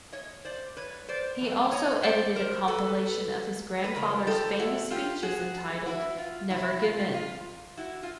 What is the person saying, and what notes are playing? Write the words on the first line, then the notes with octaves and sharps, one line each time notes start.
He also edited a compilation of his grandfather's famous speeches entitled "Never Give In".
C#5 D#5
C5 D5
B4 C#5
C5 D5
A2 E3 A3 C4
C#5 D#5
C5 D5
A#4 C5
A4 B4
B4
E2 C#3 F3 A#4
G4 A4
E4 F#4
F4 G4
F#4 G#4
E4 F#4
F4
E2 C3 D#3 E4
F4
F4
E4 F#4
F4